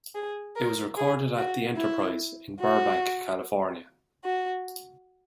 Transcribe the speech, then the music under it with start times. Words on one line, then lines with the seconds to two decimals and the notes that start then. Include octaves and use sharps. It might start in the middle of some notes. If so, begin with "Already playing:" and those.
It was recorded at "The Enterprise" in Burbank, California.
0.15 G#4
0.56 A#4
0.97 G#4
1.37 F#4
1.78 E4
2.60 F#4
4.24 F#4